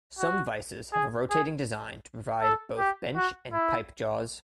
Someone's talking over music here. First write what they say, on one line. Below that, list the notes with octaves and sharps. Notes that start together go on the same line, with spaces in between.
Some vises have a rotating design to provide both bench and pipe jaws.
F#4
G#4
G#4
A4
G4
F#4
E4